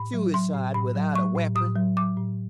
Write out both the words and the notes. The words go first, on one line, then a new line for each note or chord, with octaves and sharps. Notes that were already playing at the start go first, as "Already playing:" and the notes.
Suicide without a weapon!
Already playing: A2 B5
F#3
F#3 C6
A2
A2 B5
F#3
F#3 C#6
A2
A2 D#6
F#3
F#3 D6
A2